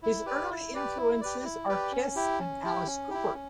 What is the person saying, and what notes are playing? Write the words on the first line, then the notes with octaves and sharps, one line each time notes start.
His early influences are Kiss and Alice Cooper.
E4
G4 B4 D5
E4
G4 B4 D5
E4
G4 B4 D5
E4
G4 B4 D5
C#4
E4 G4
C#4
E4 G4
C#4
E4 G4
C#4